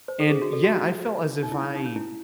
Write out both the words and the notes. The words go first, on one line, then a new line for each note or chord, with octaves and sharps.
And, yeah, I felt as if I
C5
A4
G#4
F#4
A4
F#4
D#4
E4
C#4
D#4
C#4
E4